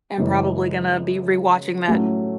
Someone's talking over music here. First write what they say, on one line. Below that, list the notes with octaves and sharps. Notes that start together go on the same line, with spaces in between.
am probably gonna be rewatching that
F#2 C#3 E3 G#3
A2 F#3 A3 C#4